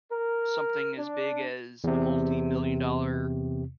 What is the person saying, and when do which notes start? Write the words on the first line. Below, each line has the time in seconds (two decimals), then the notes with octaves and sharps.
something as big as a multimillion dollar
0.12 A#4
0.98 D4
1.84 E2 C3